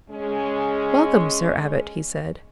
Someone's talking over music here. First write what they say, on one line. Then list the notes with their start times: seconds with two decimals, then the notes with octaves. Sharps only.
"Welcome, Sir Abbot!" he said.
0.10 G#3 C#4